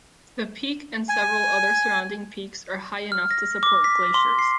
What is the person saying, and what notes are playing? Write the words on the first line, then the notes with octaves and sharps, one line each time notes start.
The peak and several other surrounding peaks are high enough to support glaciers.
G#5
F6
A#6
D6
B6
C6
C7